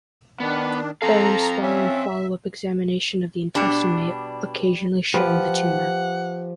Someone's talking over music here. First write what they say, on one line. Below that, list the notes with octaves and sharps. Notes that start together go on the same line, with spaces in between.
Barium swallow and follow-up examination of the intestine may occasionally show the tumor.
D#3 B3 D4
C4 A4 F5 A#5
C#4 E5
B2 G3 D4 D6
F3 G4 B4 F#5